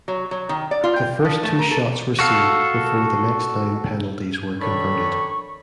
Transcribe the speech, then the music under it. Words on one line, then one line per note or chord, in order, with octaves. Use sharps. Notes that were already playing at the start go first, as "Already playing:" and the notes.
The first two shots were saved before the next nine penalties were converted.
F#3
F#3
D#3
D5
F4
G5
F3
A3
A#4
A4
F#4 A4 F5
D#3 D4 A4 C#5 B5 C#6